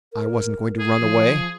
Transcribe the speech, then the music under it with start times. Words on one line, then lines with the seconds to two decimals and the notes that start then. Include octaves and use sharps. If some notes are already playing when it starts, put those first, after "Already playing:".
I wasn't going to run away.
0.13 A#4
0.80 G#4
1.00 F3